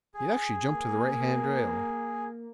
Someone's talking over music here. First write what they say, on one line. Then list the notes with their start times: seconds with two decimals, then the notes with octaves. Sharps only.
He'd actually jumped to the right-hand rail.
0.14 G#4
0.69 A#3